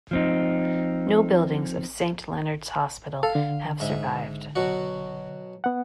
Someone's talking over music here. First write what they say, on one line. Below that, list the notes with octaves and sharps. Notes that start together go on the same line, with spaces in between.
No buildings of Saint Leonard's hospital have survived.
F3 C4 D#4
A4 F5
D3
G#2 E5
B2 F#3 F#4
B3 F#5